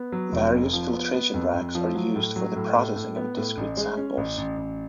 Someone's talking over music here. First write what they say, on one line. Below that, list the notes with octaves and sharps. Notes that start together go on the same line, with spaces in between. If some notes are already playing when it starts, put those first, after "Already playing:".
Various filtration racks are used for the processing of discrete samples.
Already playing: B3
F#3
F1
F2
F3
B3
B3
F2
F2
F3
F#3
A2
F#3
A2
A2
A2
B3
A2
A1
G#3
C#4
A1
A1
A1